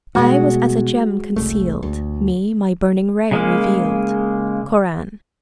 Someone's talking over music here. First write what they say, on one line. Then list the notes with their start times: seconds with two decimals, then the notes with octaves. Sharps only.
"I was as a gem concealed; Me my burning ray revealed." Koran.
0.15 B2 G3 G#3 B3 F#4
1.36 F#1 C2 A3
1.83 D2
3.31 C#3 G#3 A#3